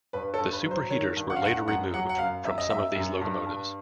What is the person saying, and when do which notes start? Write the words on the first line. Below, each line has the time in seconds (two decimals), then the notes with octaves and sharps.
The superheaters were later removed from some of these locomotives.
0.13 G2 B4
0.34 A4
0.39 G2
0.53 B4
0.66 F#3
0.71 C5
0.91 D#3 C#5
1.16 G2
1.30 F#5
1.36 F5
1.42 G2 F#5
1.67 F#2 F#5
1.93 F#3 F#5
2.09 F#5
2.19 F#2 F5
2.44 F#2 E5
2.58 D#5
2.70 F#2 E5
2.96 F#2
3.21 G2
3.47 G2